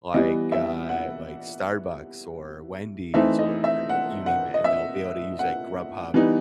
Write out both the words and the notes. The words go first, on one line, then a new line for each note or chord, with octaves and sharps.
like, uh, like Starbucks or Wendy's or you name it, and they'll be able to use like Grubhub.
E3 G3 B3 D#5
E5
F#5
E3 A3 C4 D#4 E5
D#5
E5
F#5
F#5
D#5
E5
F#5
E3 G3 B3 D#4